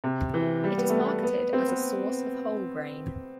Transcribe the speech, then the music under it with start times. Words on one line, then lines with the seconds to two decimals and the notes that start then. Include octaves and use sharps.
It is marketed as a source of whole grain.
0.04 C3
0.34 E3
0.64 G3
0.77 B3
0.89 A3
1.00 B3
1.23 B3
1.53 C4
1.68 B3